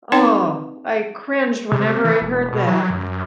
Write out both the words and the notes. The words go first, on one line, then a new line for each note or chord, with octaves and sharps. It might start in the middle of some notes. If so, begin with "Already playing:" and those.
Oh, I cringed whenever I heard that.
C4 D#4 B4 C#5 G5
C3
E3
E1
B2
F#3
F#2